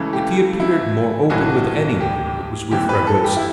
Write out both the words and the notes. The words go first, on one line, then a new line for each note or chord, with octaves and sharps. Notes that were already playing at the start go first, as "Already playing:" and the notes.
If he appeared more open with any one, it was with Fragoso.
Already playing: C#2 C#3 E3 A3
G4
E4
B1 A2 E3 F#4
G4
F#1 F#2 E3 B3 G4
B4
A4
G4
E4